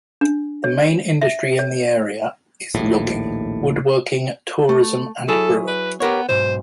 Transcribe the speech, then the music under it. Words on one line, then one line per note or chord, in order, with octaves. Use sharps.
The main industry in the area is logging, woodworking, tourism, and brewing.
D4
C#5
E5
C#5
A#1 D#2 A2
A3
F#3 E4 G#4 A4
B4
B3 G4 A#4 C#5
B1 G#2 C5